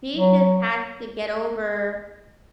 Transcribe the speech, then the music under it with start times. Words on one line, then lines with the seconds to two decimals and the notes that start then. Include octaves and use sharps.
she just has to get over
0.16 F#3